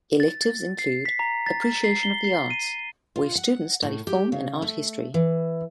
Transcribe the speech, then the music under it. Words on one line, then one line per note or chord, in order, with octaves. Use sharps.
Electives include 'Appreciation of the Arts', where students study film and art history.
A6
A6
C7
B6
A#5
A6
C7
G7
C7
D#7
F4
F#5
A2
G4
C#3
A3
E3